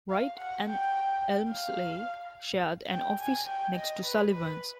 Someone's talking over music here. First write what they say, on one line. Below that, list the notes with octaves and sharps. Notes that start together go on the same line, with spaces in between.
Wright and Elmslie shared an office next to Sullivan's.
F5
F#5
G5
F5
G5
G#5
G5
D#5
B4
B4